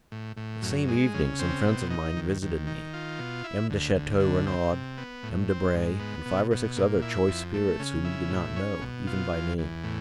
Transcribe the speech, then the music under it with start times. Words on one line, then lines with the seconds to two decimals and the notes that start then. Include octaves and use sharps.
The same evening some friends of mine visited me,--M. de Chateau-Renaud, M. Debray, and five or six other choice spirits, whom you do not know, even by name.
0.12 A2
0.37 A2
0.62 F#2
0.88 G#3
1.14 C#3
1.39 C4
1.65 B2
1.90 D#4
2.17 D#2
2.42 D#2
2.67 D#3
2.94 F4
3.19 B2
3.44 E4
3.70 D2
3.95 D2
4.20 D3
4.47 C4
4.72 C3
4.98 B3
5.23 A2
5.49 C4
5.75 G#2
6.00 B3
6.26 B2
6.51 B2
6.77 A#2
7.02 E4
7.28 F2
7.54 A3
7.79 C#3
8.05 E4
8.30 A2
8.56 C#4
8.81 B2
9.07 F4
9.33 E2
9.58 E2
9.84 A2